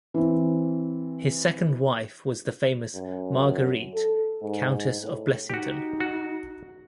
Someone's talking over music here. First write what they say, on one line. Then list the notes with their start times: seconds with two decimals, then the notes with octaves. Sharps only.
His second wife was the famous Marguerite, Countess of Blessington.
0.14 E3 C4
2.94 F#2
3.94 A4
4.42 G#2
5.02 A2
5.50 D#4 F#4 G4
6.00 F#4